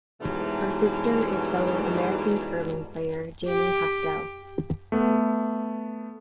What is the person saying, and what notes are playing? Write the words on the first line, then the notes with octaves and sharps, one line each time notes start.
Her sister is fellow American Curling player Jamie Haskell.
G#2 B2 E3 F#3 G3 A3
G4
A3 B3